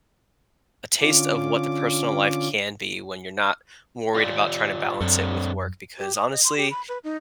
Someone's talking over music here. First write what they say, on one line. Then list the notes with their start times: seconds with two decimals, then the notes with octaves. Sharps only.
a taste of what the personal life can be when you're not worried about tryna balance it with work because, honestly,
1.00 D3 C#4 F4 D6
4.14 F4 G4 D5
5.00 F#2 C4 D4 A4
5.98 G4
6.16 D#6
6.32 D#5
6.44 C6
6.57 G4
6.70 B5
6.89 B4
7.04 D#4